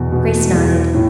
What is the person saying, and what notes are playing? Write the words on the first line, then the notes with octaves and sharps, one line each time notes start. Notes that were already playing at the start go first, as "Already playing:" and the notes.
Grace nodded.
Already playing: E2 B2
B2
E2
A2